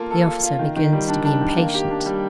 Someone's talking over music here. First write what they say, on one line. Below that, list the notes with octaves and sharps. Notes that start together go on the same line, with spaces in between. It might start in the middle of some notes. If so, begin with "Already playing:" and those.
The officer begins to be impatient.
Already playing: A#3 F4 A4
A4
F4
F4
D#3
D#3
G3
D4
D4
D#3
A#3
G4
D4
G3